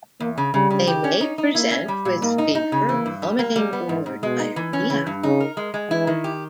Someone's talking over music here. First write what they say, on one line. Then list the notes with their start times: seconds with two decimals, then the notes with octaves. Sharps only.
They may present with fever, vomiting, or diarrhea.
0.20 E2 A#3
0.38 C#3
0.54 C#3 G3
0.70 C#3
0.87 G4
1.04 C#4
1.21 D#4
1.38 D#4
1.54 A#3 E4
1.71 C#4
1.88 G3
2.05 A#2
2.22 G#2 A#3
2.38 D#4
2.55 D#4
2.72 C#3
2.88 E3 A#3
3.06 G2
3.22 G3
3.39 A#3
3.56 G3 G#3
3.73 B3
3.89 G#2 E3
4.06 G#2
4.23 B2 G#3
4.39 D#4
4.56 E3
4.73 C#4
4.90 C#3 E3
5.07 G2
5.23 C#3 D#4
5.40 A#4
5.57 G#3
5.74 G#3
5.91 E3 E4
6.07 D#3
6.24 G4